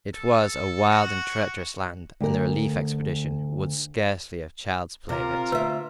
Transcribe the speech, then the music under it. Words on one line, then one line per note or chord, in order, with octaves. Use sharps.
It was a wild and treacherous land, and the relief expedition would scarcely have child's play of it.
A4
F#4
D2 A#4
C3 F4 A#4
D2 B4 E5